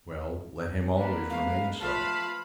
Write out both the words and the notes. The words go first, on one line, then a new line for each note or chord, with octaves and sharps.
"Well, let him always remain so."
A#3 B3 D4 B4
D#3 G#3 A3 F5
F3 A3 F4 B4 F5 A5 B5